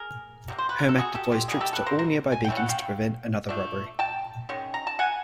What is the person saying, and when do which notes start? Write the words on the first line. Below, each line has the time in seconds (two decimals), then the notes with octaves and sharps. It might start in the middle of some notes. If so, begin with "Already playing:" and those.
Hermack deploys troops to all nearby Beacons to prevent another robbery.
Already playing: G#4 A#4
0.48 C3 F3 A#3
0.58 C5
0.69 B4
0.79 A#4
0.89 A4
0.98 F#4 G#4
1.15 G4 A4
1.32 F4 G4
1.48 C3 D#3 G3 A#3 G#4
1.61 G4 A4
1.73 A4 B4
1.86 A#4 C5
1.99 A#4 C5
2.32 G#5
2.45 G5
2.49 E3 A3 C#4
2.57 F#5
2.69 F5 G5
3.49 F3 A3 D4
3.99 G5 A5
4.49 D#3 G#3 C#4
4.74 A#5
4.87 A5
4.99 F#5 G#5